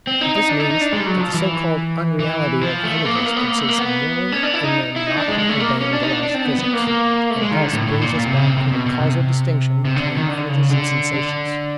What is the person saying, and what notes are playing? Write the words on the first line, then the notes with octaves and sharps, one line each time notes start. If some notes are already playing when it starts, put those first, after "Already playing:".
But this means that the so-called "unreality" of images consists merely in their not obeying the laws of physics, and thus brings us back to the causal distinction between images and sensations.
C4
D#4
D#4
D4
D#4
D#4
D4
G#3
G3
F#3
F3
E3
E3
F3
A3
A#3
B3
A#3
B3
A#3
A3
A#3
B3
C#4
D4
E4
D#4
E4
D#4
D4
G#3
G#3
A3
A#3
C#4
D4
D#4
D4
D4
C4
B3
B3
A#3
A#3
A3
G#3
D#3
D3
A2
A2
A#2
A#2
C3
C#3
C3
C3
C3
B2
B2
C3
C3
D3
D#3
D3
C#3
D3
D3